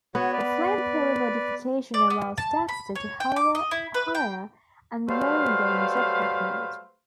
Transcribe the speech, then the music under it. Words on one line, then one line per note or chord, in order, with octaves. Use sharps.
The flamethrower modification allows Daxter to hover higher and longer in jet-pack mode.
B3 F#4 C#5
B4 D5
D5
B3
A5
B5
C#5
G5
D6
D#5
E4
B4
G5
F#3 G3 A3 B4 C5 F5